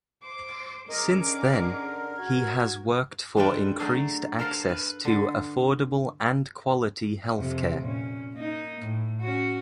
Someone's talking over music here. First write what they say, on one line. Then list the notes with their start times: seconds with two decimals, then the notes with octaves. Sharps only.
Since then, he has worked for increased access to affordable and quality health care.
0.23 C5 D6
0.89 C#4 D#4 G#4 A#4 D#5 D6
1.19 D3 A#4
2.19 F#4 G#6
3.37 G#3 A#3 D4 A4 B4 G5
3.80 F#3 A3 D4 G#4
4.39 A4 A#4 C5 F5 F#5 A5
4.69 B4
5.05 D3
7.37 F2 C3
7.79 A#2 C#4
8.33 A#3 D#4
8.80 A2
9.21 C#4 F#4